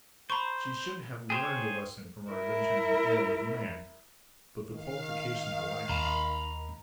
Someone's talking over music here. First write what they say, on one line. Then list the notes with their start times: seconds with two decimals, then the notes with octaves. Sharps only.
She should have learned a lesson from her adventure in the air with the man, but the qualifications were lacking.
0.30 C5 A#5 B5 C#6
1.30 G#4 C5 C#5 G5 C6
2.30 E4 A#4
4.72 D#3 F5
5.89 D#2 A#5 B5